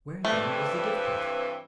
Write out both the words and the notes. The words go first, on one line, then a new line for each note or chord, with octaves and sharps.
Where then was the difficulty?
G2 E3 A3 C4